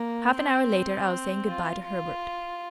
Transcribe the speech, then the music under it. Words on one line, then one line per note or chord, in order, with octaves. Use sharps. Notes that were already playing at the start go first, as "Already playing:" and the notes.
Half an hour later I was saying good-bye to Herbert.
Already playing: A#3
C4
F4
F4